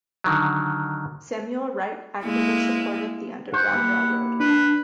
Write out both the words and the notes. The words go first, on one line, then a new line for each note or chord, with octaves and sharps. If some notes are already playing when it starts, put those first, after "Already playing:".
Samuel Wright, actively supported the Underground Railroad.
D3 D#3 F#3
G#3 A#3 E4
C5 F#5
A#3 E4 G4
D4 B4